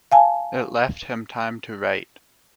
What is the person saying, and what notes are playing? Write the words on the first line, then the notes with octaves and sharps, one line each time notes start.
It left him time to write.
F5 G#5 A5